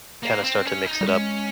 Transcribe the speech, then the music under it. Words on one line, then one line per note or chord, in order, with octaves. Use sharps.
kinda start to mix it up.
A#3
C4
C#4
D#4
G3
G#3 C#4